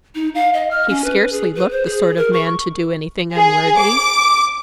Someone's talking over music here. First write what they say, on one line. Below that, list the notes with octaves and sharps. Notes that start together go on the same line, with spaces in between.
He scarcely looked the sort of man to do anything unworthy.
D#4
F5
D#5
F6
C#4
B4
G#4
B4
C5
G#4
A#4
C#6
G#4
D6